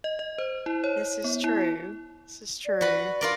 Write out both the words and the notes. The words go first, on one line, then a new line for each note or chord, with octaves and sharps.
This is true. This is true.
D#5
D#5
C5
E4
C#5
B3
E4
D5
F#4 B4
F4 A#4 D5